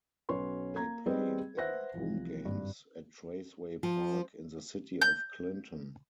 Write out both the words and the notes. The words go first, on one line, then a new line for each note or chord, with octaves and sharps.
They play their home games at Traceway Park in the city of Clinton.
B1 F#3 C#4 B4 C#5 C6
A#3 A#5 G#6
G3 C4 G#4 B4 D#5
B4 C5 E5 F#5 F#6 A#6
C2 E3 F3
G#1 G2
F3
G6